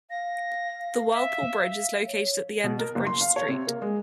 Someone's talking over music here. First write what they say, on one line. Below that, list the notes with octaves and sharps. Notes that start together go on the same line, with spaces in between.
The Whirlpool Bridge is located at the end of Bridge Street.
F5 A#6
E5
C#5
B2
A#4
F#1
C6
F5
C#5
C3
A#3
G#3